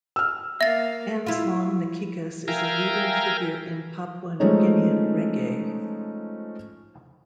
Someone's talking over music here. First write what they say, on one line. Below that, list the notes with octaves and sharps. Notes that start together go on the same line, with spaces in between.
Anslom Nakikus is a leading figure in Papua New Guinean reggae.
E6 F6
A#3 E5 F5 A6
E4 F4
A#4 E5 F5 G5 G#5 A#5
F3 G#3 A3 C#4 D#4